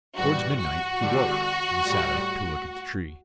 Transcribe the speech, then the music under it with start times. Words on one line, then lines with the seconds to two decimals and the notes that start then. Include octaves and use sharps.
Towards midnight he awoke, and sat up to look at the tree.
0.16 G2 E3 G3 F#4
0.58 F#4
1.01 E2 D3 G3
1.86 A2 G3